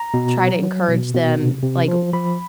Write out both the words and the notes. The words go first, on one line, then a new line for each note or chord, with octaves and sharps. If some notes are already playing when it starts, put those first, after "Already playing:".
try to encourage them, like,
Already playing: A#5
B2
F#3
F#3
B2
B2
C3
C3
F3
F3 B5